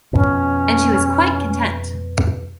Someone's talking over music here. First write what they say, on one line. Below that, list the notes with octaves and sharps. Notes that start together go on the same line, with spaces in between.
And she was quite content.
F2 B2 C#4